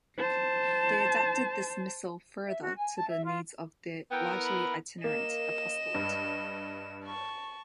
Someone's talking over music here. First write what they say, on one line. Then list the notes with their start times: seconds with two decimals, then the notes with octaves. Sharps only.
They adapted this missal further to the needs of their largely itinerant apostolate.
0.18 C5 A5
2.48 E5
2.61 F#4
2.77 G#5
2.96 A5
3.09 E5
3.24 F4
4.11 B3 E4 A#4 G5
4.44 B5
5.04 A#3 D#5 E7
5.94 G2
7.05 A5 C#6